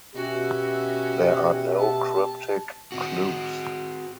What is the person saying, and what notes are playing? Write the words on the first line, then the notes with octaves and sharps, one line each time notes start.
There are no cryptic clues.
B2 C#4 F#4 G4 E5
A5
C4 F#4